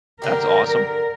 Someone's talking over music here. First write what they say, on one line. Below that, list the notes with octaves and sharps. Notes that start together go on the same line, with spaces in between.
That's awesome.
D3 G4 A#4